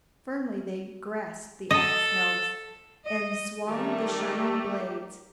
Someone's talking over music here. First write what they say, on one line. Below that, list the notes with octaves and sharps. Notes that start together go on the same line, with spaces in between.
Firmly they grasped the axe-helves and swung the shining blades.
A4 D#5
D#5
D#3 G3 A3 G4 A#4